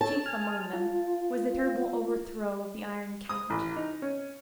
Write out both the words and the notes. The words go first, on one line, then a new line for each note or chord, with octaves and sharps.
Chief among them was the terrible overthrow of the Iron Count.
A4 C#5 A5
G#5 F6
F4
D#6
A1
D#4
C#4